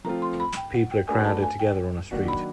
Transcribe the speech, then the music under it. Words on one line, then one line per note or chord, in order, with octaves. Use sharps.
People are crowded together on a street.
F3 A3 C4 F4 A#5
C6
B5
G5
F#5
G5
A3 D4 F#4 B4 G#5
A5
G#5
G5
D#3 F#3 A#3 D4 F#4
B5